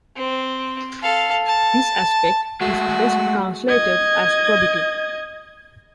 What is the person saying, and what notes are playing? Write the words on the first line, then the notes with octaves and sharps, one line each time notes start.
This aspect is best translated as probity.
C4
A4 F5
A5
G#3 A3 F#4
D#5 G#6